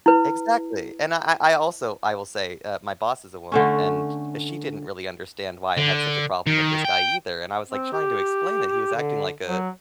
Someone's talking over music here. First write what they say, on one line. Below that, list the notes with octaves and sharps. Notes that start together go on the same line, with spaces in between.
Exactly, and I I I also, I will say, uh, my boss is a woman, and she didn't really understand why I had such a problem with this guy either, and I was, like, trying to explain that he was acting like a
E4 B4
D3 A3 C#4
D3
D#3
G5
C4
G4
D3
F#3